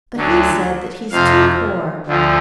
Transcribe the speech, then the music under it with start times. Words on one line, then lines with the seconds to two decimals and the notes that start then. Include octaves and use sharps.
But he said that he is too poor.
0.17 D2 D3 F#3
1.11 F2 C3 F3 F5
2.06 D2 D3 F3